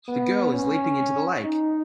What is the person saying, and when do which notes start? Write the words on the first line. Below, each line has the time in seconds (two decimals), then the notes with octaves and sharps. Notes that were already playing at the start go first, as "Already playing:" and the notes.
The girl is leaping into the lake.
0.08 B3
0.54 C#4
1.44 D#4